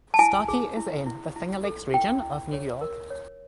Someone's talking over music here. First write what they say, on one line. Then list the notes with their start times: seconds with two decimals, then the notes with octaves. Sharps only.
Starkey is in the Finger Lakes Region of New York.
0.14 A5
0.19 E4 G#5
0.48 G#4
0.77 E4
1.06 E4
1.36 E4
1.64 A4
1.93 E4 G5
2.23 E4
2.53 C#5
2.81 A#4
3.10 C#5